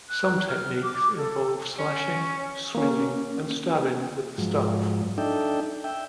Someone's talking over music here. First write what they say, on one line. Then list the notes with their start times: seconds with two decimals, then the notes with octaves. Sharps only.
Some techniques involve slashing, swinging, and stabbing with the staff.
0.09 F#6
0.48 F6
0.83 D6
1.17 A4
1.79 C#4
2.75 A#3 C#4
4.38 G#2 F3 F#3
5.18 D4 D#4 A4 E5 G5
5.84 E5 G5